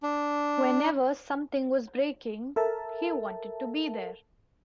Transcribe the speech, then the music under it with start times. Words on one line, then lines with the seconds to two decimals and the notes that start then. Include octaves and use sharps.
Whenever something was breaking, he wanted to be there.
0.03 D4
2.56 A4 A#4 E5 A5